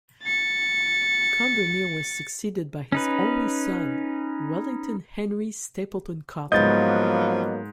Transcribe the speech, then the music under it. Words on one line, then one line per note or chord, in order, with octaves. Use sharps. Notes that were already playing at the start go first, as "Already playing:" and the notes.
Combermere was succeeded by his only son, Wellington Henry Stapleton-Cotton.
A6 C#7
C#4 D#4 B4
G#2 F3 F#3 A#3 B3 D#5 G6 A6